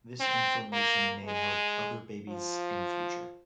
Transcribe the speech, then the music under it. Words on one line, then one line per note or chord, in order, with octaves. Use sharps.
This information may help other babies in future.
C4
A#3
G#3
F3